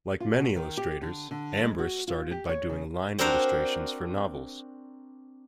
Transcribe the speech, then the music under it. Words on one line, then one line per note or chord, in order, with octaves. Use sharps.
Like many illustrators, Ambrus started by doing line illustrations for novels.
F4
B2
D#3
G4
D3
D3
G#3
F#4
F4
G4
C#5
C#3
C4 D4 F#4 A#4 C5